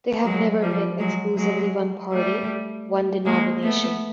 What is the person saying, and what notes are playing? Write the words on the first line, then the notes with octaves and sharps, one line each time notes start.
They have never been exclusively one party, one denomination.
F#3 G#3
F3 G3
F#3 G#3
F#3 G#3
G3 A3
G#3 A#3
A3 B3